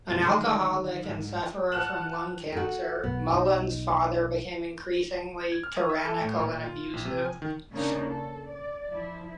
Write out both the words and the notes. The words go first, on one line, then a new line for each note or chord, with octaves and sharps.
An alcoholic and sufferer from lung cancer, Mullan's father became increasingly tyrannical and abusive.
F#2 B2 G#3
D3 D#3 F#3 G#3 G#4
G#2
F#5 A5 F6 F#6 E7 F#7
F#4 A4
B1 B3
D#4
G#6
F6
D#6
E5
A4
A2
A#2
F4
A#1
C3
G#5
D#3
C#3 A#3 D4 D#4
A4
D5
F3 E4